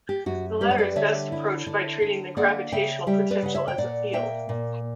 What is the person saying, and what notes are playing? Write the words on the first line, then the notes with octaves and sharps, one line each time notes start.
The latter is best approached by treating the gravitational potential as a field.
G4
F#2 F#4
G3 G4 B4
C#5
B4 D5
D3 C#5 E5
E4
D3
D3
A#3 D5 F#5
C#3 E5 G5
G3 E5 G5
B4 D5
C#3 F#5
C#5 E5
G5
A#2 D5 F#5
A#3 E5 G5
A#2